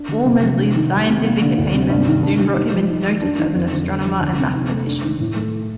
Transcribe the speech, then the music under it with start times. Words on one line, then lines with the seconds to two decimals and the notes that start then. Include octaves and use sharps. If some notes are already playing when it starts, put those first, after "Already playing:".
Walmesley's scientific attainments soon brought him into notice as an astronomer and mathematician.
Already playing: D4
0.09 D3
0.25 C3
0.42 F3
0.58 D4
0.75 D#3
0.92 G3
1.08 C3
1.24 A#3
1.42 D3
1.58 D2
1.74 C3
1.90 G2
2.07 D#3
2.23 D4
2.39 G3
2.56 D#4
2.73 F3
2.90 D#4
3.06 D#3
3.22 D4
3.39 D#3
3.55 F2
3.72 D3
3.88 D3
4.05 F3
4.21 D2
4.38 C3
4.54 D#4
4.71 A3
4.87 D4
5.04 D#3
5.20 A2
5.36 A3